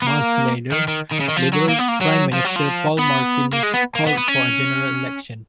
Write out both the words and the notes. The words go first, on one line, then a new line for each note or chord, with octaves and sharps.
Months later, Liberal Prime Minister Paul Martin called for a general election.
B3
A#3
D#3
D#3
D#3
C#3
D#3
F3
F#3
A#3
B3
A#3
F#3
F3
F#3
F3
B3
A#3
G#3
B3
A#3
B3
B3
C#4